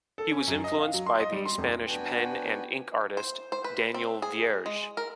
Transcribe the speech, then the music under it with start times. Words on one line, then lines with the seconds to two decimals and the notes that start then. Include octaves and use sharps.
He was influenced by the Spanish pen and ink artist Daniel Vierge.
0.18 A4
0.31 C#4
0.48 F#2
0.64 D#5
0.78 F5
0.94 F#3
1.06 C6
1.20 D#5
1.32 G3
1.46 C6
1.58 F1
1.87 B3 D4 F#4 B4 G5 G#5
3.17 C5
3.52 C5
3.64 B4
3.94 C4
4.22 G#4
4.66 G#3
4.97 A#4